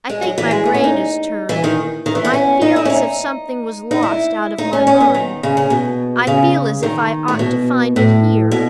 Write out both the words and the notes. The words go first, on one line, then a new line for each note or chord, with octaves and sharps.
I think my brain is turned. I feel as if something was lost out of my mind; I feel as if I ought to find it here.
G#3
F#3
E3
G#3
A3
C#4
D#4
E3
D#3
D#3
E3
B3
C#4
D#4
E4
C#4
D#4
D#4
E4
D#4
C#4
C#4
B3
D#3
C#3
C#3
B2
C#3
D#3
A2
B2
A2
B2